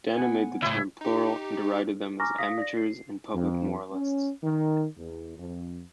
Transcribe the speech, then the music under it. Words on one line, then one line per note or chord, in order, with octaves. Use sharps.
Dana made the term plural and derided them as amateurs and public moralists.
B3 F#5 G#5
C#2 A2 E4
D#4 G4
G#5 A#5 C#6 D6 F6 A#6
F5 D#6 A#6 B6
D5 A#6
C7
F2
C#4
D#3
E2
F2